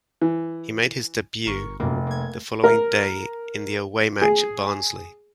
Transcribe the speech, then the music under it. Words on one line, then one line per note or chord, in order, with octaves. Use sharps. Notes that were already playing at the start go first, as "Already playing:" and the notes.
He made his debut the following day in the away match at Barnsley.
E3
G1 A#4 C#6
F1 F#2 A#2 A#3
A#3 G#6
A#4
G#4